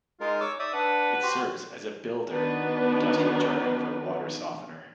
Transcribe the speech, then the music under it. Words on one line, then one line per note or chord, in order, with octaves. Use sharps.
It serves as a "builder," industrial jargon for a water softener.
G#3 D#4 F4 A#4
C#5 D6 E6
D#4 D5 E5 D#6
D4 B4 F#5
F#4 G4 C5
D#3 B3 D4 D#4 F#4 B4